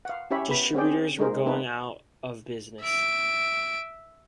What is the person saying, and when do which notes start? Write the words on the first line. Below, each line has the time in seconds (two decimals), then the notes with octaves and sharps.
Distributors were going out of business.
0.05 F5 F#5
0.31 C#4 E4 G4 C#5 E5 B5
0.49 B3 B5
0.74 C4 C#4 G#4 C5 D5 G5
1.19 G#3 D#4 G#4 A#4 C5
1.46 B3 C4 D#4 A4 B4
2.82 E5 D7